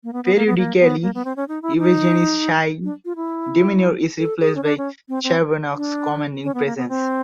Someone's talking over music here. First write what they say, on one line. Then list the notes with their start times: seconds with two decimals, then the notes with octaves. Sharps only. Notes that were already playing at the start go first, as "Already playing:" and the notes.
Periodically Yvgenie's shy demeanor is replaced by Chernevog's commanding presence.
0.04 A#3
0.13 B3
0.24 B3
0.35 A#3
0.46 B3
0.57 A#3
0.80 B3
1.03 A#3
1.15 B3
1.25 C4
1.36 C#4
1.48 D#4
1.62 E4
1.78 D#4
2.84 D4
3.05 F4
3.16 E4
4.18 A4
4.40 G#4
4.55 C#4
4.64 D4
4.78 C#4
5.09 C4
5.24 C4
5.76 D4
6.43 C#4
6.54 B3
6.66 A#3
6.77 B3
6.89 C4